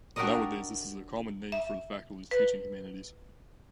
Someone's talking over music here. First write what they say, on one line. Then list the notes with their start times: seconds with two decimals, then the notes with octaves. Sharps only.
Nowadays this is a common name for the faculties teaching humanities.
0.16 D4 F#4 G4 A#4 D5 D#5
1.52 E5
2.31 B4